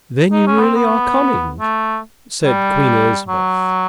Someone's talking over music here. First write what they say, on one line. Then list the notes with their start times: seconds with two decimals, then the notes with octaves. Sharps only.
"Then you really are coming?" said Queen Elizabeth.
0.33 D#4
0.47 C#4
0.58 B3
0.61 C4
0.75 B3
1.60 A3
2.45 G3
3.28 F#3